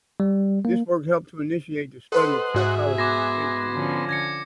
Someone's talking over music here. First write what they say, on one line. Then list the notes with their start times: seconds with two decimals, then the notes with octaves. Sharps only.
This work helped initiate the study of phycology in Finland.
0.20 G3
0.65 A#3
2.12 A4 B4 C5 D#5 F#5 C6
2.54 G#2 F#4 G#4 E5 G#5 F#6
2.98 B3 C6 D6 G#6 A#6
3.73 D3 F3 C#4
4.09 G#6 A#6 C#7